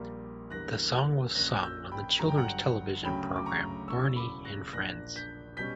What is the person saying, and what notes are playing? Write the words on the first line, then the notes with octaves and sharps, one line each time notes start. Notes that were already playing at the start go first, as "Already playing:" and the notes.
The song was sung on the children's television program Barney and Friends.
Already playing: A#1 A#2 G3 A#3
E2 D3 G3 A#3 F#6 A#6
A#1 A#2 A#3 C#4 F#6 A#6
E6 G6
G5 B5
G1 G2 F#3 A#5
G5
F#5 A#5
D2 C#3 F#3 C#4 G5 B5
D6
A#5 C#6
E1 E2 C#3 F#3 C#6 E6
B5 D6
F#6 A#6
A#1 A#2 A#3 D4 F#6 A#6
G6 B6
B2 G3 C#4 G6 B6